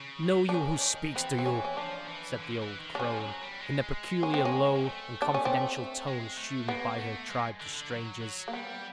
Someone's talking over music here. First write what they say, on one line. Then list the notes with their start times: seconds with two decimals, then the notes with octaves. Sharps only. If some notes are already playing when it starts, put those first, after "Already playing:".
"Know you who speaks to you?" said the old crone, in the peculiar low and confidential tone assumed by her tribe to strangers.
Already playing: C#3
0.23 D#3
0.49 D4
0.54 C#4
1.15 E3 C4
1.39 C4
1.46 C#4
1.65 C#4
1.77 F3 D4
2.08 E3
2.38 D3
2.49 D#3
2.59 E3
2.79 D#3
2.95 D4
3.00 F3 C#4
3.20 F#3
3.41 G3
3.61 G#3
4.23 C#4
4.34 C4
4.45 C#4
4.75 A#3
4.84 A3
5.22 D4
5.34 C#4
5.45 C4
6.07 G#3
6.38 A3
6.68 A#3 B3
6.99 A3
7.30 G#3
7.61 D3
7.76 D3
7.92 F#3
8.22 F#3
8.48 A#3
8.53 G3 B3